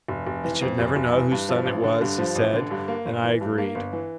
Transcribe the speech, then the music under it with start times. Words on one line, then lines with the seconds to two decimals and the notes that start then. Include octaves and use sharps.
It should never know whose son it was, he said, and I agreed.
0.08 F1
0.26 F1
0.44 E3
0.61 F2
0.79 F1
0.96 F1
1.14 E3
1.31 G2
1.48 F3
1.66 A1
1.84 D3
2.01 G2
2.18 F3
2.35 A1
2.53 D3
2.71 G2
2.88 A#3
3.05 G1
3.23 E3
3.41 G2
3.58 A#3
3.75 G1
3.93 E3